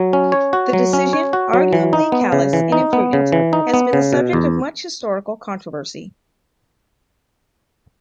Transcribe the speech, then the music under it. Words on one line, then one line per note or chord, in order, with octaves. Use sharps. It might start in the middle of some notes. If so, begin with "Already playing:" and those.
The decision, arguably callous and imprudent, has been the subject of much historical controversy.
Already playing: F#3
C#4
C#5
F#4
F#3
C#4
C#5
F#4
F#3
E3
D#4
B3
C#3
E3
D#4
B3
C#3
E3
D#4
B3
C#3
B2
E2